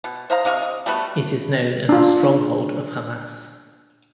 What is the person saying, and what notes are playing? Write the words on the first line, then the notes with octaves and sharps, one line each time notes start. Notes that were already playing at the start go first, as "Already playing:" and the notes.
It is known as a stronghold of Hamas.
B2
C5 D#5 F5 A#5
C3 D#5 F5 C#6
D#5
G3 A3 B3 F#4
D4 F4